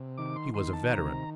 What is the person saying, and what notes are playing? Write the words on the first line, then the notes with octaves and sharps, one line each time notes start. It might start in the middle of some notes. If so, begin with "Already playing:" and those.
He was a veteran.
Already playing: C3
D#3 D6
C6
D#3 C6
A5
C3 A#5